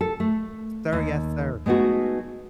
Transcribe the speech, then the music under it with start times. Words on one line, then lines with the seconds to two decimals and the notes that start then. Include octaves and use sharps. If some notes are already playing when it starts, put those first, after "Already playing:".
"Sir, yes, sir.
0.01 A4
0.20 A3
0.93 D#2
1.66 G#3 A3 B3 D#4 F#4